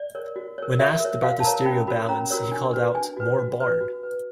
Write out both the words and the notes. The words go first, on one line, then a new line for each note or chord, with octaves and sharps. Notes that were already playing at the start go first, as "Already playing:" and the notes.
When asked about the stereo balance, he called out, More barn.
Already playing: D5
A#4 C#5
F#4
A#4 C#5
F#4 E5
A#4 C#5
F#4 F5
A5
A#4 C#5 A#5
C#4 B5
F#4 A#4 C#5 B5
C#4 A#5
F#4 A#4 C#5
D4
F#4 B4
D4 G#5
F#4 B4
F#4
B4
F#4
B4